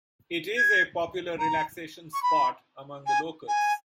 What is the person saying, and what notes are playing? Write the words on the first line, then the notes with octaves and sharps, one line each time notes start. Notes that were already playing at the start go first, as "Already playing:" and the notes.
It is a popular relaxation spot among the locals.
G#6
A#5
C#6
B5
G#5
G#5